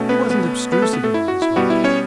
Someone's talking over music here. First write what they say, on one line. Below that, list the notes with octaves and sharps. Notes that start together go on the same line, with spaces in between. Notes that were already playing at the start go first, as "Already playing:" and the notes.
He wasn't obtrusive about his heart.
Already playing: B2 A3 C#4
B3 B4
B3 B4
B3 B4
A3 A4
B3 B4
A3 A4
E4
F#4
E4
B2 G3 B3 F#4
E4
C#4 C#5